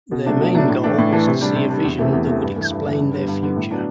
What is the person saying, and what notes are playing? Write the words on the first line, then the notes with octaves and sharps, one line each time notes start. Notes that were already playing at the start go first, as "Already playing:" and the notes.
Their main goal was to see a vision that would explain their future.
B2
F#3 A3 D4
B2
F#3 A3 D4
A2
E3 A3 D4
A2
E3 A3 D4
C3
G3 D4
C3
G3 D4
E2
C3 E3 A3
E2
C3 E3 A3
G2
E3 A3
G2
E3 A3
G2
D3 G3 B3
G2
D3 G3 B3
A2
F#3 B3 D4